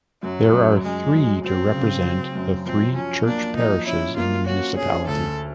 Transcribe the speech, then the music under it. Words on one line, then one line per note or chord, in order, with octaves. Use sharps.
There are three to represent the three church parishes in the municipality.
F#2 F#3
F#2
F#2 G#3
F#3
F#3 C4
C#3
F#3
F#2
F3 C4
F3 C#4
A#3 D4
F3 D#4
C#4 E4
A#3 F4
C#4 F#4
C#4 G#4
D2 A4